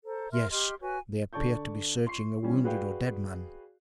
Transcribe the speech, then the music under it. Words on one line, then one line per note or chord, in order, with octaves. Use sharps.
"Yes, they appear to be searching a wounded or dead man."
A4 C5 A#5
A#4 E5 C6 F6
G4 D#5 C6 F6
F#4 B4 C#5 G#5
D3 D5 A5 C#6 G6
C6 C#6 C7
E3 G3 C#4
F#4 G#4 B4 D5 F5 G5